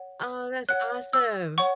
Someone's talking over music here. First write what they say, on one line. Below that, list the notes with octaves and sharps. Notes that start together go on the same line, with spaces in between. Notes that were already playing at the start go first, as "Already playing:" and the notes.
Oh, that's awesome.
Already playing: C#5 F#5
C#5 F#5 F#6
E6
C#5 F#5 C#6